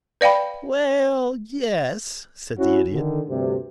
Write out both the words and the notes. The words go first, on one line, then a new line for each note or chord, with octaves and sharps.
"Well--yes," said the Idiot.
B4 D5 F5 G5 B5
C#4 E4 F#4
D3 D#3
D2 G2 C3